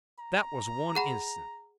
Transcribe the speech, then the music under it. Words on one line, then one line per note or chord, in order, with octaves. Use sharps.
That was one instance.
A#5
G#4 F#5 B5